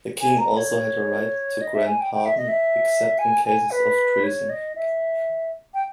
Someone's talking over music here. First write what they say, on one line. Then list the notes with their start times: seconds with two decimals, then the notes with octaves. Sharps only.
The king also had the right to grant pardon except in cases of treason.
0.21 G#5
0.39 A#5
0.57 C#5
1.61 D#5
1.74 E5
1.87 G#5
2.01 G5
2.14 G5
2.25 E5
2.37 D#5
2.48 E5
3.19 G#5
3.45 G#5
3.71 B4
4.24 C#5
4.49 D#5
4.76 E5
5.74 G5